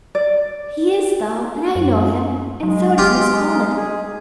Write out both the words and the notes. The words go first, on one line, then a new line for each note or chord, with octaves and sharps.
"He is, though; and I know him, and so does Miss Coleman."
D5
F#2
F#3 G#3
F4 G4
G#4